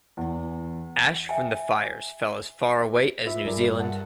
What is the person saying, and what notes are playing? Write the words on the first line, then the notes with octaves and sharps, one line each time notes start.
Ash from the fires fell as far away as New Zealand.
E2
E5 G5 G#5
F4 B4 E5
G2 G#4 A#4 D5
E5 F#5 A5